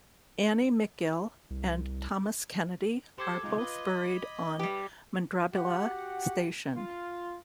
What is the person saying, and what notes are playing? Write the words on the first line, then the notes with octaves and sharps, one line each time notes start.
Annie McGill and Thomas Kennedy are both buried on Mundrabilla Station.
C2
G4 A4 C5 C6 D6 G#6
C2 G#3 D#4 F4
F4 B4 D#5
B5
G3 G4 B4
F#4 G4 F#5
F4